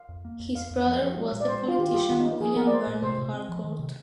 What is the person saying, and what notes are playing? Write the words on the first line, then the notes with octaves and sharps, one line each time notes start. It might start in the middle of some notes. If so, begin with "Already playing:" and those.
His brother was the politician William Vernon Harcourt.
Already playing: F5
F2
A#3
F2
F2 F5
F2
F3
F3
G#3
A#2
D5
G#3 C5
D4 F4
D#3 G4
F4
G2 G4
D#3 F4
D#4
A#3
F3 G#4
A#3 A#4
D5
A#3 C5
A#2
C3 C5
C3
C4
F3
D#3
C3